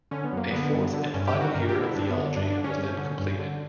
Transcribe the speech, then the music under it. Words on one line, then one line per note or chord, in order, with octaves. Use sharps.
A fourth and final year of theology was then completed.
D3 C#4
B3
F#2
A#3
D3 B3
G2
D3
G2 C#4
G4
D3
F#4
G2 A#4
G4
D3
E4
G2 D4
B3
D3
G2 D4
D4
D3
C#4
G2
D3
G2
D3